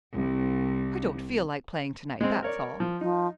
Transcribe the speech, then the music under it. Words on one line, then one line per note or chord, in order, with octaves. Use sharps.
"I don't feel like playing to-night; that's all."
C2
G#3 C4
A#4 C#5 D5
F3
F3 D#4